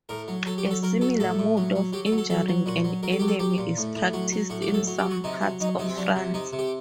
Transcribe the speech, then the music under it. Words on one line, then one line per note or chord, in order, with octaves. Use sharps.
A similar mode of injuring an enemy is practiced in some parts of France.
A2 A#4
F#3
F#3 A4
G4
F#3
A4
F#3 A#4
F#3 A4
A2 A4
A2
F#3
F#3
F#3 G4
A4
F#3
A4
F#3 A4
F#3
A#2 F#4
F#3
F#3 A#4
A4
F#3 G4
A4
F#3 G4
A#2
A2
A2
F#3 F#4
F#3
A2 F#4
G4
F#3
A4
F#3
G4
F#3
F#4
C3 D#4
F#3
F#3 D#4
C3 D#4
C4
F#3 D4
C3
C3 D#4
C3
G4